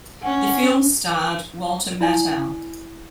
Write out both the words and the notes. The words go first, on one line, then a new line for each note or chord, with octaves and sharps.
The film starred Walter Matthau.
C#4 F#5
E4 D5 G#5